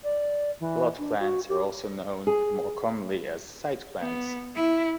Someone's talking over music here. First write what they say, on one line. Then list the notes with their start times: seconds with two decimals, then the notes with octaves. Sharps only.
Plot plans are also known more commonly as site plans.
0.04 D5
0.60 E3
0.98 D4
1.20 F#4
1.49 G4
2.27 G#4
4.00 B3
4.55 E4